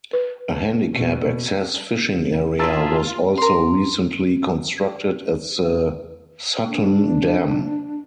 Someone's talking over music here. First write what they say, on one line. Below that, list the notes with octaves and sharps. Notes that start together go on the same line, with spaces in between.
A handicap-access fishing area was also recently constructed at the Sutton Dam.
B4
B2
D4 F4 G#4 A4 E5 A#5 E6 A6
A#4 C6
D4